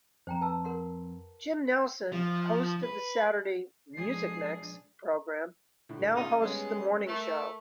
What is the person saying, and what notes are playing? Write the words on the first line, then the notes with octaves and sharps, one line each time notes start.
Jim Nelson, host of the Saturday "Music Mix" program, now hosts the morning show.
F2 C5 G5 A#5
B4 A5 E6
A#4 F#5 C6
F3
B4
B2 F3 G#3 D4 G#4 C7
A2 D3
C#3 D#4 F4
G3 G#3 B3 C#4
A3 A#4